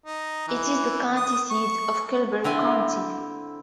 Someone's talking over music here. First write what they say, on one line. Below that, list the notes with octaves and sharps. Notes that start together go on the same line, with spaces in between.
It is the county seat of Kleberg County.
D#4
E3
D#6
C#6
D3 C4 E4 G#5